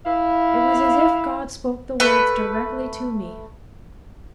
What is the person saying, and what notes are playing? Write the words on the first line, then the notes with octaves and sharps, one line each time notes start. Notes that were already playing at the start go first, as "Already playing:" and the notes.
It was as if God spoke the words directly to me.
E4 F5
A3 B4